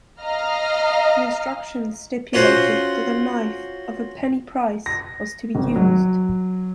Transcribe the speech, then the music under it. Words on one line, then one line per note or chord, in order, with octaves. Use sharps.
The instructions stipulated that a knife "of a penny price" was to be used.
D#5 F5 A#5 F6
C#4 F4 F#4 C5
A#6
G#1
F#3